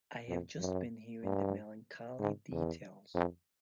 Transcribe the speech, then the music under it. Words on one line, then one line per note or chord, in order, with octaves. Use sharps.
I have just been hearing the melancholy details.
F2
F#2
G2
G#2
E2
F2